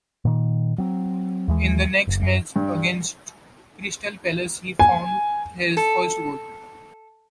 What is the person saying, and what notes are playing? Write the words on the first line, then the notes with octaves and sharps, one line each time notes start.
In the next match against Crystal Palace, he found his first goal.
A#2 D#3
F#3 C4
D#2 E3 G#3
F#1
F#2
G2
G#5
A4